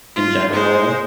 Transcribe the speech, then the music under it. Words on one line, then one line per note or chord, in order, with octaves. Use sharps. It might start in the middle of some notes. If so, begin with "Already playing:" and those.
in general.
F4
G#3 C5